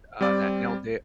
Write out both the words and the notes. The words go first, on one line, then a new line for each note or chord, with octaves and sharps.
uh, that nailed it
G3 C4 D5